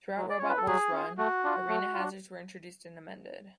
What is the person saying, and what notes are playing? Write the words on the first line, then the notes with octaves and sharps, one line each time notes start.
Throughout Robot Wars' run, arena hazards were introduced and amended.
F#3
D5
C#4 F4 C#5
B4
A4
F#3 G#4
C#4 F4
A3 F#4
D4 F4
A3
F4
D4